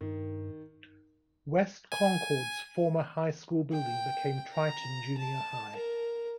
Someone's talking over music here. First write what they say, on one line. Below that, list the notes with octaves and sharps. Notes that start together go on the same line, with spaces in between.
West Concord's former high school building became Triton Junior High.
G2 D#3
G#5
G5
A#5
A5
A#4